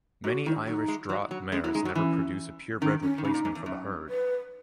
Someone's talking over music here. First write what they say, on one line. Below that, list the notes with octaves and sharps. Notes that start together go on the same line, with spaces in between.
Many Irish Draught mares never produce a purebred replacement for the herd.
G#2 F#4
D#3 E4
F#3 D#4
G#3
F#3
F#3
G#3 C#4
F#3 E4
G#3 D#4
F#3
E3 C#4
D#3 C#4
C#4
D#3
C#3 D#4
A#2
G#2
E2
F#2
B4